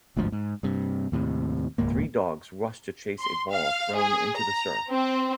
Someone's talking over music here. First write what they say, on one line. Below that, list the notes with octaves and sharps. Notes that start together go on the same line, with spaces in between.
Three dogs rush to chase a ball thrown into the surf.
G1 D2 G#2 F3
G#2
G2 C3
D#2 A2 C3
D#1 C#2 G#2 A#3
C6
F5
G#4
A#5
C4